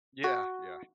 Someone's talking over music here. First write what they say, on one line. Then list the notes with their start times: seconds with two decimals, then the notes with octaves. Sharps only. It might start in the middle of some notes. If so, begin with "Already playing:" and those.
Yeah, yeah.
0.24 F#4